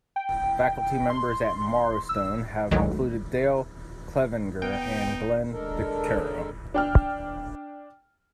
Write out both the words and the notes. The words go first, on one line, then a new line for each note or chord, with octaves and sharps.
Faculty members at Marrowstone have included Dale Clevenger and Glenn Dicterow.
G5
C6
E6
A1 D2 D#3 F#3 G#3
B3 D#4 G5
G#3 D4 A4 A#4
D4 G5 F6